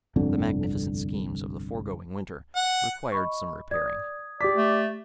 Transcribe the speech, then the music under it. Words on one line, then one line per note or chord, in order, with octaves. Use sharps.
The magnificent schemes of the foregoing winter required some repairing.
G1 C2 F2 D3
F#5
D#5 B5 C#6
D5 D#6 G#6
G4 D5 B6
A3